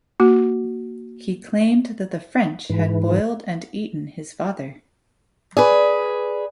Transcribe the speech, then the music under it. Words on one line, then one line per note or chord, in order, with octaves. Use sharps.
He claimed that the French had boiled and eaten his father.
A#3 F#4
G#2 E3
G#4 B4 D5